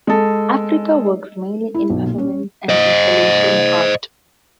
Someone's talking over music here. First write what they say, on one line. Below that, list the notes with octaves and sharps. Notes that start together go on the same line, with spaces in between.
Afrika works mainly in performance and installation art.
G#3 A4
E4
B1
A#2
C#4
C5 D#5